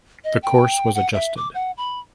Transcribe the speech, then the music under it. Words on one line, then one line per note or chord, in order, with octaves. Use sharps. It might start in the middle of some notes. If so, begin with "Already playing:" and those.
The course was adjusted.
D#5
G5
F#5
E5
D6
F#5
B5